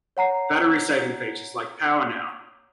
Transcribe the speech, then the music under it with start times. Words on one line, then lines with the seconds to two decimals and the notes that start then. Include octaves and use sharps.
Battery saving features, like PowerNow!
0.17 C#5 F#5 A#5 C7